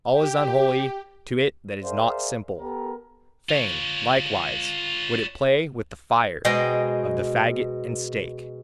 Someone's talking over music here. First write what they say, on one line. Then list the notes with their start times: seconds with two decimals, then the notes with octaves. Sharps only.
All is unholy to it that is not simple; fain, likewise, would it play with the fire--of the fagot and stake.
0.12 G4 G5
1.83 G#4 A#4 C5 D5 E5 F5
2.60 B3 G4 A4 A#4
3.49 F4 C#5
6.45 B2 G#3 C5 D#5 G5